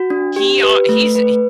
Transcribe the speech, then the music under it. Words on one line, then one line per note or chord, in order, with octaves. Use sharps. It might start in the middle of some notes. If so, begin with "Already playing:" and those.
He, uh he's
Already playing: F#4
D4
G4
B4
A3
B4